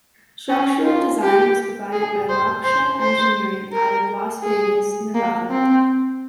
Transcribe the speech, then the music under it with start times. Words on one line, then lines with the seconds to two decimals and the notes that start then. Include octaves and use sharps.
Structural design was provided by Lochsa Engineering out of Las Vegas, Nevada.
0.49 C#4
0.85 F4
1.22 G4
1.93 G#4
2.29 C5
2.64 C5
3.01 C5
3.72 A#4
4.43 G#4
5.15 A#3
5.51 C4